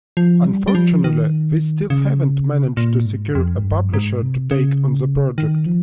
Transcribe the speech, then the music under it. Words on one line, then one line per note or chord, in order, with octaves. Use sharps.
Unfortunately we still haven't managed to secure a publisher to take on the project.
F3
G3
G3
F3
D#3
C#3
A#2
G#2
F2
G#2
G2
G#2
C3
C#3
D#3
F3